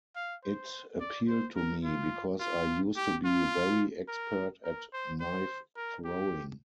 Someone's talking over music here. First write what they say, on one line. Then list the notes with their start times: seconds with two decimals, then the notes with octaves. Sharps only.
It appealed to me because I used to be very expert at knife throwing.
0.16 F5
0.44 C5
1.00 D5
1.28 C5
1.56 A#4
1.84 F4
2.40 F4
2.97 G4
3.25 F4
4.08 A#4
4.64 A#4
4.93 C5
5.20 C5
5.76 A#4
6.05 G4